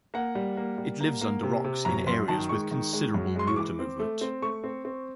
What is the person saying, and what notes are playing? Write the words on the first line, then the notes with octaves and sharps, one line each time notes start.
It lives under rocks in areas with considerable water movement.
A#3 F#5
G3
A#3
G3
A#3
A#3
C3
C3
F#2 A#5
F#2 C6
D#3 A5
G#3 C#6
D#3
G#3
F#2
G#3 C6
C#6
E3 D6
C4
A3
C4
A3 C#6
C4
C4